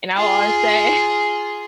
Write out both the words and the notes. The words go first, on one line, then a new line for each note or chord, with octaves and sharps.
And I will always say
F4 G#4